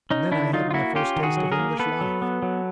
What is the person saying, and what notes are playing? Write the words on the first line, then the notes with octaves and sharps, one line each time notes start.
And then I had my first taste of English life.
C#4 D#4
D#3 D4 E4
F#3 D#4 F4
F4
A#3 E4 F#4
C#4 F4 G4
D#3
F#4 G#4
F#3
G#4 A#4
A#3
B3 A4 B4
F#3
B3
F#3